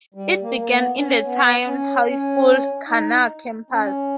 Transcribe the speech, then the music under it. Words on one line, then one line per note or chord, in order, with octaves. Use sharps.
It began in the Town High School, Kannur Campus.
G3
A#3
A#3
B3
C#4
B3
C#4
C#4
D#4
C#4